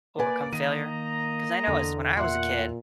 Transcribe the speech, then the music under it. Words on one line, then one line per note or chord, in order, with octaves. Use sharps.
overcome failure? 'Cause I know as when I was a kid,
A#3 B4 D5 G#5
D#3 D#5 A#5 D#7
E2 D3
A#2 E5 F#5 C6